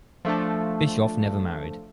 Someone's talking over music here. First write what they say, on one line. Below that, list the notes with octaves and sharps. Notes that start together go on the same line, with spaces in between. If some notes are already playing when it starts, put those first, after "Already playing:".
Bischoff never married.
F3 A3 D4 A4